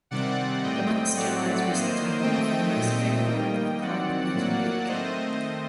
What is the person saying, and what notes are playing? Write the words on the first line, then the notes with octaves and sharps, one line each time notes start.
The months July through September offer the most favorable weather for climbing Eaton Peak.
C3 D#3 G3 C4 D5 F#5
A2 G3 C4 D#5 G5
A2 F#3 A3 C4 D5 F#5
D#3 F#3 A#3 C5 D#5
D#3 A3 C4 D#5 G5
A#2 A3 C4 D#5 G5
D#3 G3 A#3 D#5 G5
D#3 F#3 C4 D5 F#5
A2 F#3 A#3 D5 F#5
D#3 A3 C4 C5 D#5